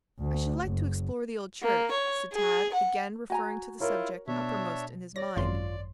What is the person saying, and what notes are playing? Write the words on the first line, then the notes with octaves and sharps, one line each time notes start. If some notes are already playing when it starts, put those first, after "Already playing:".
"I should like to explore the old church," said Tad, again referring to the subject uppermost in his mind.
D2
F#1
A#3
C#5
G#4
F#5
F#4 G#5 A#5
E4 F4 A#4 C#5
B2 D4 C#5 E5
C#5 D5 A#6
G#1 F#2 F4 C6